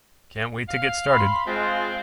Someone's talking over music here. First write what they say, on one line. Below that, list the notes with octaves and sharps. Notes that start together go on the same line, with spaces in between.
Can't wait to get started!'.
F5
B5 C6
G#3 C4 F4